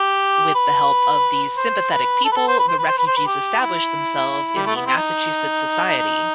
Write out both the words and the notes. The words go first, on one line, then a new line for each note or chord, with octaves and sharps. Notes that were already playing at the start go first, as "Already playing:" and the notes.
With the help of these sympathetic people, the refugees established themselves in Massachusetts society.
Already playing: G4
B4
C5
B4
A4
B4
A4
C5
B4
C5
B4
C5
B4
C5
B4
G4
E4
G3
A3
B3
C4
D#4
D#4